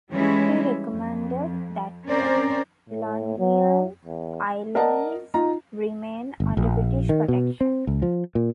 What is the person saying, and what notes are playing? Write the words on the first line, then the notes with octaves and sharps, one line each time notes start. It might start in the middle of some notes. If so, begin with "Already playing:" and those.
He recommended that the Ionian Islands remain under British protection.
E3 G3 G#3 C#4 E4
F2
C4 C#4 A#4 C5 D5
A2
F#3
E2
A#4 D5 D#5 F#5 A5
D#4 F4 A#5
G1
A#1
D#3
B2
C4
C#2
F3
A#2